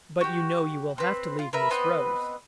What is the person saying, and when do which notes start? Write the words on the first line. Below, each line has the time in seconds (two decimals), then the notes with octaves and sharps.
"But you know you will have to leave Miss Rose."
0.21 F#4 G4
0.98 C4 B4
1.39 F4
1.53 A#4 B4 E5
1.71 B3 C4 B4 D#5